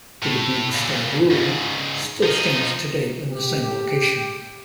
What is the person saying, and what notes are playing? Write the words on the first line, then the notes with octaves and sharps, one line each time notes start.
The Dubuque Star Brewery still stands today in the same location.
A2
A#2 C#3
G#2 C#3
F3 D#4
G4